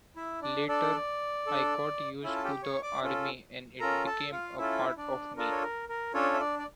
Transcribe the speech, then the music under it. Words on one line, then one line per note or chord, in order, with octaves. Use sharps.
Later I got used to the army, and it became a part of me.
E4 E5
D4 D5
D4 A4 D5
D4 A4
C#4 E4 F4 A4 E5
A5
G4 G5
C#5 C#6
D5 D6
C#4 F4 A4
C#4 F4 A4 A#4 A#5
A4 A5
F4 F5
C#4 E4 F4 A4 E5
D4 D5
D4 F4 A4 A#4
C#5
A#4
A#4
C#4 D4 F4 A4 C#5
E5
D4 D5
D5